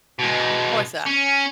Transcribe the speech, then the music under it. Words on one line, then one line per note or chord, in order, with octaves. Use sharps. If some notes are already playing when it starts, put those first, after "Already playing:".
What was that?
B2 G#3
C#4